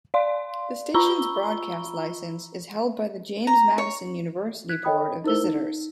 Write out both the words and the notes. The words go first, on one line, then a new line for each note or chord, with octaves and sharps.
The station's broadcast license is held by the James Madison University Board of Visitors.
D5 F5 C6
F4 A#5 B5 C#6 E6 G7
A#5
C#5
F#6 G#6 B6
A4 C#5 D#5 G5 B5 D#6
D#4 E4 A#4 C5 E6 G7
D#4